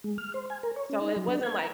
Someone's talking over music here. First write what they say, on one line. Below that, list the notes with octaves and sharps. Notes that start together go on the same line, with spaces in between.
So it wasn't like
G#3
F6
C5
G#5
A#4
C#5
C#4
D#4
F#3
D4
G#6
A#5